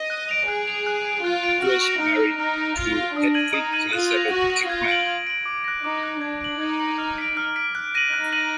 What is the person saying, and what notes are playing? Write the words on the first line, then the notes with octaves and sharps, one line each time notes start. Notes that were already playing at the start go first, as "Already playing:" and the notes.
He was married to Hedvig Elisabeth Ekman.
Already playing: D#5
F#6
D7 F7
G#4 F#6
D7 F7
F#6
D7 F7
F4 F#6
D7 F7
F#4 F6
A#6 F7
D#4 F6
A#6 F7
D#4 F6
A#6 D7
F4 F6
A#6 D7
D4 D#6
G#6 D#7 F#7
D#4 D#6
G#6 D#7 F#7
F4 F#6
A#6 F7
F#4 F#6
A#6 F7
F4 G#6
D7 F#7
G#6
D7 F#7
D6
F#6 A#6
D#4 D6
F#6 A#6
D4 G#6
D7 F#7
D#4 G#6
D7 F#7
F6
B6 D7
F6
B6 D7
F#6
A#6 D#7 F#7
D#4 F#6
A#6 D#7 F#7